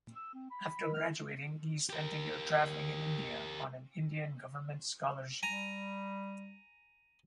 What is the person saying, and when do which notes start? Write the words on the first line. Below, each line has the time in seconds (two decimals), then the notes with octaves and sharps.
After graduating, he spent a year travelling in India on an Indian government scholarship.
0.16 E6
0.34 C4
0.51 B5
0.81 A#4 B4 D#5
0.94 C#4 F6
1.90 G4 A#4
5.43 G3 G#5 A#5